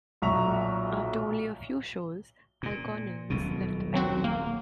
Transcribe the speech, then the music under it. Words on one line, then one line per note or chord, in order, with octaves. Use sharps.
After only a few shows, Al Collins left the band.
B1 A#2 E5 A#5 C#6 F7
A#2
D#1 B1 B2
F#3 C4 F#4
A#3